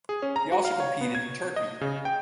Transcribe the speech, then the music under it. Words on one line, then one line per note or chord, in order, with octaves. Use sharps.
He also competed in Turkey.
G#4
C#4
A#5
F#4
F5
C#5
B3
G#6
D#5
C#3
G5